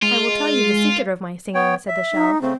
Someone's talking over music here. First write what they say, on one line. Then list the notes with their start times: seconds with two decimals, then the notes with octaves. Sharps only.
"I will tell you the secret of my singing," said the shell.
0.02 G#3 F4
1.55 B3 C#5 G5
1.88 E5
2.13 D#4
2.42 C#3 A3 C4